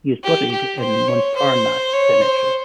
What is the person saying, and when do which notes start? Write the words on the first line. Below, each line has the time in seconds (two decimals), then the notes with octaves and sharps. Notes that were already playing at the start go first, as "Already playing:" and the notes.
He is buried in Montparnasse Cemetery.
0.23 G4
0.52 G4
0.79 C5
1.08 C#5
1.36 C5
1.93 C#5
2.21 C5